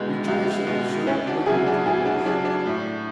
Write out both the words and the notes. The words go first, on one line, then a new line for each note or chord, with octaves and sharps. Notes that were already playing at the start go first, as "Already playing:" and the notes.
Rejoice in the certain winning of your wish!
Already playing: C#2 B2 G#3 E4
C#2
B2 G#3
D2 C#4 E4
D4 F#4
C#3 F#3 E4 G#4
D4 F#4
D2 E4 G#4
D4 F#4
C#3 F#3 D4
D4
A2